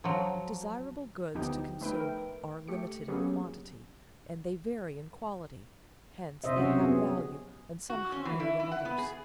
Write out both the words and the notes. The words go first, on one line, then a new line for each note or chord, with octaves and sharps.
Desirable goods to consume are limited in quantity, and they vary in quality; hence they have value and some higher than others.
F3 F#3
D2 F3 B3 D#4 G4 G5
A3 D#4 B4 E5 G5
A#4 D7
A3 G4 C#7
F#3 A#3 B3 C#4 G4 G#4
C3 C5 D#5 E5
C3 F#3 C#4 F#4
F#3 B3 C4 G#4
F#4
C#4
E3
E4
E4
F#5
B3
G#4